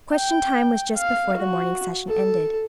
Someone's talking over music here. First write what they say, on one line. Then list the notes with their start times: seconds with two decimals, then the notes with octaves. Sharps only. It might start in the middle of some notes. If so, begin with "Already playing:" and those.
"Question time" was just before the morning session ended.
0.13 G5
0.97 F5
1.37 F#4
2.08 A4